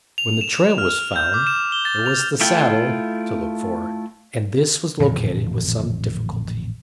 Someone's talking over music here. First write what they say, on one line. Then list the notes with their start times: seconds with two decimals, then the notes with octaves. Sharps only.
When the trail was found, there was the saddle to look for, and this was located with some difficulty.
0.18 F7
0.41 E7
0.78 F6
1.16 G6
1.34 D6
1.47 E7
1.72 G7
1.85 A6
2.06 F7
2.41 A3 E4 F4 G5
4.99 A1 F2 A#2 D3